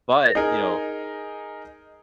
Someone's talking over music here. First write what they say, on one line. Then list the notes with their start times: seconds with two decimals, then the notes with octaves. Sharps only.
but, you know,
0.35 D#4 G#4 A#4